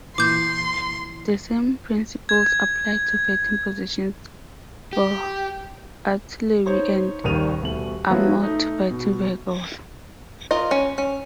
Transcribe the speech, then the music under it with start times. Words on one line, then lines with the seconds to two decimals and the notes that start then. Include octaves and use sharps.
The same principles apply to fighting positions for artillery and armored fighting vehicles.
0.18 A#2 E3 C6 D6 G6
2.29 G#6
4.93 G4
6.66 D#4 C5 C#5
7.24 D#1 A#1 D#3 G3 D#7 F7
7.62 D#1 B2 A3 F#7
8.10 F3 F#3 B3 C#4 E4 F#4
8.43 A3 D#4
8.91 B2
10.51 F4 A#4 D#5
10.71 C#4
10.98 C#4